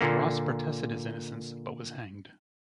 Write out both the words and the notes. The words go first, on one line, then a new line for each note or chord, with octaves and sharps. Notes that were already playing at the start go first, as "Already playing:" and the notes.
Ross protested his innocence but was hanged.
A#2 D3 A#3